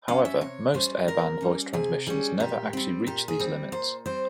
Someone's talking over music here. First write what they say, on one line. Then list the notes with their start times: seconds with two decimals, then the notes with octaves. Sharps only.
However, most airband voice transmissions never actually reach these limits.
0.08 G3 C#4 F5
0.25 E5
0.41 C3 C#5
0.74 G3 C#4 C5
1.08 C3 A#4
1.41 G3 C#4
1.73 C3 G#4
2.07 G3 C#4 G#4
2.40 A#2 G4
2.73 G3 C4
3.07 A#2 G4
3.28 G#4
3.40 G3 C4
3.72 A#2 C5
4.06 G3 C4 C5